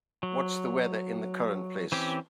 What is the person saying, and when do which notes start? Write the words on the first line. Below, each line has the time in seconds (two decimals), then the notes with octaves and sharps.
What's the weather in the current place?
0.23 F#3
1.92 E3 C4 C#4 G4